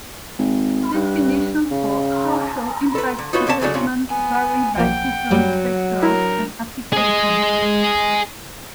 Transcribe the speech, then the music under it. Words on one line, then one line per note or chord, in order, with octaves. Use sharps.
Definitions for "social impact assessment" vary by different sectors and applications.
G#1
G2
C#3
A4 B4
D3
D#4 F4 F#4 B4 C#5
F2 A#2 C#4 G4 A5
C#3 F#3 G#3 A3 D4 F#4
G2 C3 C#4 F4
B3 G#5
B1 F3 A#3 F#5 G5
F#2 F#3 G3
D4 E4 A#4 A#5
G#4 D#5